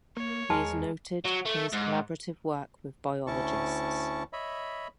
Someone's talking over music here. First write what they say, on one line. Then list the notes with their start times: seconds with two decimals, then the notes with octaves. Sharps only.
He is noted for his collaborative work with biologists.
0.17 A#3 C#5
0.50 E2 G#3 A#4 A5
1.25 F#3
1.45 A3
1.72 G#2
3.27 D2 C#4 E4 A5 C#6
4.33 C#5 D#5 E5 B5